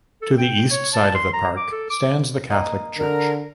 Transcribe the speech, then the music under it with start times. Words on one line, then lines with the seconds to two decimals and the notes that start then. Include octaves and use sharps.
To the east side of the park stands the Catholic church.
0.22 A4
0.38 G5
0.71 C#5
0.94 A5
1.15 C6
1.33 A#5
1.57 D6
1.72 A4
1.90 D6
2.50 A#3 D#5
2.98 D3 A#4